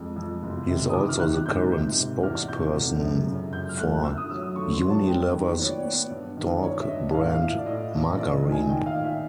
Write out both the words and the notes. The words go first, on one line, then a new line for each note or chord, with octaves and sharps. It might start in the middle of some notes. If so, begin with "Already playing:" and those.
He is also the current spokesperson for Unilever's Stork brand margarine.
Already playing: F2 G#3
F2
F#1
C3
D#6
D#3 D6
F6
D#3 F#6
G#2 G6
G#2 G6
C3
E2 F6
C3 G6
F1
F#2
C#3
F#2 G6
F6
A3 F#6
D3 E6
D#6
F#3 E6
D#6
D3 C#6
C6
F#3
A5
B3 G5
D#3
B3 C#5
D5
C#5
B3
G2
D#3
D5
G2 C#5
E5
G2 D#5
A2 F5
F5
A2 E5
D5
A2 D#5
A2
A#1 D5
D#5
D#3
G#5
D#3 G5
F5
D#3
E5